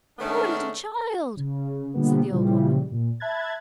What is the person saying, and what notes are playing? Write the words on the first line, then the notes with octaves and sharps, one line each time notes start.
"Poor little child!" said the old woman.
D#3 G#3 A3 B3 C#4 D4
C#3
B2 D3 F3 G3 A#3 B3
A#2 C#3 E3 F3 G3
A#2
E5 A5 B5 F#6 G#6 A6